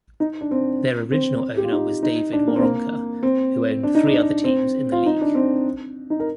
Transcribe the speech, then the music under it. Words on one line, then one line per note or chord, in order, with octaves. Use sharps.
Their original owner was David Waronker, who owned three other teams in the league.
D#4
D4
C4
C4
G4
F4
D#4
D#4
D4
A#3
C4
A#3
C4
D4
D#4
D4
C4
F4
D#4
D4
C4
D#4
A#4